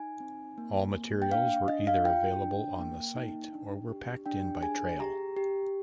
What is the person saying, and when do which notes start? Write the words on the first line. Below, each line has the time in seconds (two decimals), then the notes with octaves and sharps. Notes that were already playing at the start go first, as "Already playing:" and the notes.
All materials were either available on the site or were packed in by trail.
Already playing: D#4 G#5
0.20 C4
0.58 A#3
0.94 A#3
1.22 G5
1.31 D4 F5
1.68 D4 D#5
1.87 F5
2.05 F4 G5
2.43 D4
2.79 A#3
3.16 D#4
3.53 D4
3.89 G4
4.26 D4 G5
4.63 G#4 G#5
5.00 G4 A#5
5.37 G4